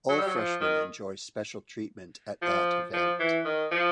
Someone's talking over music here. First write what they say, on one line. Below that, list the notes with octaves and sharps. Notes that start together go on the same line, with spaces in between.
All freshmen enjoy special treatment at that event.
F#3
G3
F#3
F3
D#3
F3
F3
E3
D#3
F3